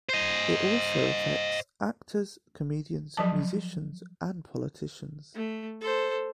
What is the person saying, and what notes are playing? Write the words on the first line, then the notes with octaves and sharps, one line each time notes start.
It also affects actors, comedians, musicians, and politicians.
C5 D#5
F3 F#3 A5
A3
A4 C5